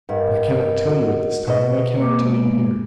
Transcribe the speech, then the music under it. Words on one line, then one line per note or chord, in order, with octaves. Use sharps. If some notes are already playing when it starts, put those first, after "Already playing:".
But I cannot tell you at this time, and I cannot tell you here.
G2 A#4 D#5 F#5
F#4
B2 D#5
A#3 C4 D6
G#3 A#3 B3